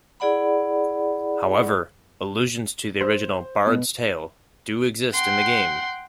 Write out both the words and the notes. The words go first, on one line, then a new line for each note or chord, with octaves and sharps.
However, allusions to the original "Bard's Tale" do exist in the game.
E4 G#4 D5 F#5 B5
C5
B2
F#5 G5 C6